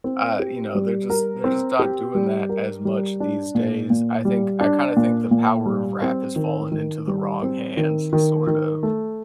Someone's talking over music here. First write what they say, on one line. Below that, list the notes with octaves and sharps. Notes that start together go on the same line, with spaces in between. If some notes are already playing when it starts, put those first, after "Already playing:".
uh, you know, they're just they're just dot doing that as much these days, I think I kinda think the power of rap has fallen into the wrong hands, sort of.
C4
G4
G3
A#4
C4
G4
G3
A#4
G3
D4
A#2
A#2
G3
D4
A#2
A#2
G3
C4
D#3
D#3
G3
C4
D#3
D#3
D#3
A3